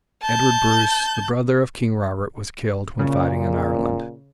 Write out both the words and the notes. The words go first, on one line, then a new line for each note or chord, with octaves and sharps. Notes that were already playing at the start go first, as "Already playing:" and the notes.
Edward Bruce, the brother of King Robert, was killed when fighting in Ireland.
A5 G6
A#2 C#3